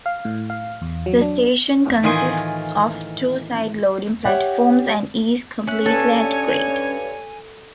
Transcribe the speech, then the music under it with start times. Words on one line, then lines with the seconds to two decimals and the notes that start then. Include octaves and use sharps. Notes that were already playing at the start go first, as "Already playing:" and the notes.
The station consists of two side-loading platforms and is completely at grade.
0.06 F5
0.25 A2
0.50 F5
0.82 E2
1.06 F#3
1.21 D4
2.03 A2 D#3 E3 F4 D#5 G#5
4.26 G4 G#4 C#5 E5 F#5
5.68 C#4 E5 F#6
5.85 G2 A4 C#5 G#5